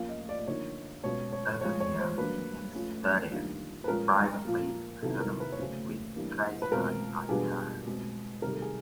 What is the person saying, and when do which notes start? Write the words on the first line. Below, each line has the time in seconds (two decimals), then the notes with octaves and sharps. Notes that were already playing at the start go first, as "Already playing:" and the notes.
Earlier he had studied privately piano with Kaisa Arjava.
Already playing: F3 A#3 C#4 F4 F5
0.09 D#5
0.29 D5
0.39 D5
0.47 D3 F3 A#3 D#4 C#5
1.04 B2 G#3 C#4 F4 C#5
1.32 C#5
1.61 A#2 F3 G#3 C#5
1.80 C#5
1.99 C5
2.18 F#3 A#3 D4 B4
2.75 F3 A3 C#4 F4
3.31 D#3 G3 A#3 D4 F4
3.84 B4
3.88 A#2 F3 G#3 C#4 A#4
4.45 A#2 F3 A#3
5.02 C3 D#3 F#3 B3 E4 A4
5.20 A#4
5.40 B4
5.52 C#5
5.59 C#3 F#3 A3 C#4 C5
6.16 E3 G3 A#3 D4
6.62 B4
6.72 B2 G#3 C4 F4 A#4
7.29 B2 G3 B3 D4 F4 G#4
7.86 B2 G#3 C4
8.42 C3 D#3 G3 A#4
8.53 A4
8.62 G#4